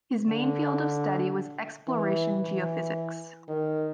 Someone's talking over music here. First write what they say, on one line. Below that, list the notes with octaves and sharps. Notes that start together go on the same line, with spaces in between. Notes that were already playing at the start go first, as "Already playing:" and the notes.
His main field of study was Exploration geophysics.
D3
E3
E3
D#3